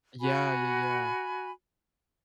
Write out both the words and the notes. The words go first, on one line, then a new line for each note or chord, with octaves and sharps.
Yeah, yeah, yeah.
F#4 G#5 B5